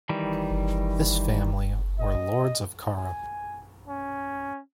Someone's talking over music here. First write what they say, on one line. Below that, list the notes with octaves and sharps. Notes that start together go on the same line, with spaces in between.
This family were Lords of Carra.
D#3 E3 G3
D#5
G#5
C#4